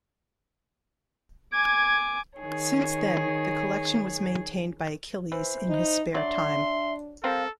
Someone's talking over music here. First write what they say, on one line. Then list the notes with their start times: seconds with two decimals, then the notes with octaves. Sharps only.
Since then the Collection was maintained by Achilles in his spare time.
1.52 G#5 D6 G#6
2.40 D#3 G#4 C#5
5.32 E3 C5
5.69 D#4
6.14 F#3 D4 D5 E5 C6
7.24 G3 C4 A4 A#4 F5